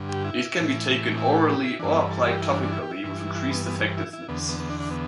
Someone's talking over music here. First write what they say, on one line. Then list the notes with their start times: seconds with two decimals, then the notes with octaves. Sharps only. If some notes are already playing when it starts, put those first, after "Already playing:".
It can be taken orally or applied topically with increased effectiveness.
Already playing: G2 D3
0.09 G4
0.24 E4
0.56 A2 E3
1.18 E4
1.28 G4
1.38 A4
1.49 G4
1.64 E4
1.79 G2 E3 D4
1.90 B3
2.00 B4
2.10 A4
2.27 G4
2.42 E4
2.53 D4
2.63 D4
2.73 E4
2.82 G4
2.91 E4
3.04 G2 E3
3.35 E4
3.50 B3
3.66 B3
3.97 E4
4.13 E4
4.28 E2 D3 B3
4.49 B3
4.60 B3
4.70 D4
4.80 D4
4.90 B3